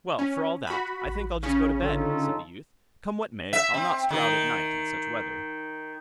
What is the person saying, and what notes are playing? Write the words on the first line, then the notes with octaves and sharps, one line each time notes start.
'Well, for all that, I think I'll just go to bed', said the youth. 'Come what may, I'll not stir out at night in such weather.'
C#4
F#4 B5
A1
C#3 C#4
D3 D#4 F4 A4
E5
C4
D#3